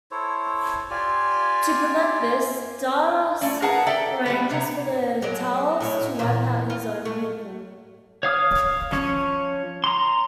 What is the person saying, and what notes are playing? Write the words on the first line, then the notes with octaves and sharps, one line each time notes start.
To prevent this, Davros arranges for the Thals to wipe out his own people.
E4 A4 C5 C#5
F4 G4 D5 G#5
A3 C#4 D5
G#4 A#4 B4 F#5 A5 A#5
G4 A4 D5 E5 G5
G3 A#3 B3
C3 C#5 A#5
F#3 G#3 D4
A2 F#3
E2 A#2
F4
A3
C#5 F5 D#6 F6
F3 C#4 C#5
A#5 C6